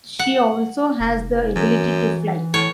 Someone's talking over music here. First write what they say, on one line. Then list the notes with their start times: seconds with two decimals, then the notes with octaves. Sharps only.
She also has the ability to fly.
0.19 F#5
1.00 F1
1.55 F#2 E3
2.54 A2 C#5